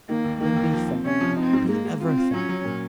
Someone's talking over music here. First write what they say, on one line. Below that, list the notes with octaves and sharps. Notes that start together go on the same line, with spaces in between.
Then be thankful--be ever thankful.
D#3 A#3
D#2
D#3 A#3
D#2
F3
C4
C3 C#4
F3
C4 D#4
G#2
G#3 A#3
G#3
C4 F4
F4
F#3 C#4
F#3
A#2